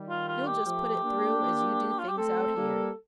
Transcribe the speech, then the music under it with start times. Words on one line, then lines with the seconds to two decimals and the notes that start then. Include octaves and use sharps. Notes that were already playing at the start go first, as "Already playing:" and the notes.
You'll just put it through, as you do things out here.
Already playing: D#3 G3
0.09 F4
0.28 F4
0.47 G4
0.66 F3 A3 G4
1.04 A#3 D4
1.99 F4
2.09 G4
2.17 A3 C4 A4
2.56 G3 A#3